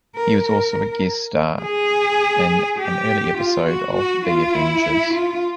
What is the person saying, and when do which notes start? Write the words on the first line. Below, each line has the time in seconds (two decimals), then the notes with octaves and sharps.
He was also a guest star in an early episode of "The Avengers".
0.15 A#4
0.44 A#4
1.62 G#4
2.79 G4
3.38 F4
3.66 F#4
3.95 F#4
4.26 F4
4.54 E4
5.13 F4